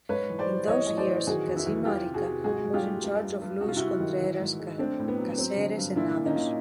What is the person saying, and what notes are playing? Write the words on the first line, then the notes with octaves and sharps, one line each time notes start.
In those years, Casino Arica was in charge of Luis Contreras Cáceres and others.
G#2 B4 C#5
E3
C5 D5
G3
E3 C#5 D#5
A2 D#5
C5 D5
E3
D#3 F#4 G#4
E2
E4 F#4
E2
E3 F4 G4
C3
F#4 G#4
C3
G#2 F#4 G#4
G#2
F4 G4
A3
G2
G2
G2
C3 F#4
F4
G3 E4 F#4
D#3
E3
G#2
G#3
A3 C4 D4
A2
B3
F#3
F#3 C4
D3
G2
A#2 D4 E4
A#2
C#4 D#4
A#2